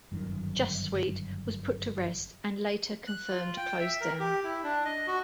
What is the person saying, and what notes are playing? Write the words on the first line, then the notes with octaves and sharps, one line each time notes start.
"JustSweet" was put to rest, and later confirmed closed down.
G1 F#2 B2 D#3
F#6
F4
G5
E5
A#4
G4
E4
D4
D#5
F#4